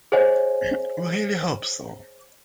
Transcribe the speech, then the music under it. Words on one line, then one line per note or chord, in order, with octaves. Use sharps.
We really hope so.
G#4 C5 C#5 D#5 F#5 G#5